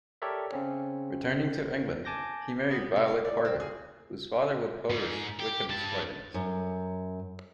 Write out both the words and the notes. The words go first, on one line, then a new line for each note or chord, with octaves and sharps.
Returning to England, he married Violet Carter, whose father would publish Wickham's writings.
G4 A4 A#4 C#5 D5 E5
C#3 C4 C#4
G#5 A5 D6 G6 A#6
B3
C3
F5
D5
C4
G#4
G#2
G4
G2 A5
F#2